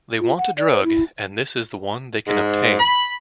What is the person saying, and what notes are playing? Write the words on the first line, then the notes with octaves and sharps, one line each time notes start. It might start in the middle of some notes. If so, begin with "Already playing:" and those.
They want a drug and this is the one they can obtain.
F4
F#5
D5
C5
E4
G#2
B5